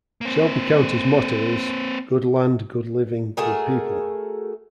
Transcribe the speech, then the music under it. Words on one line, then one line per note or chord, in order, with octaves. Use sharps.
Shelby County's motto is "Good Land, Good Living, Good People".
A#3 C4
A3 F#4 G#4 A#4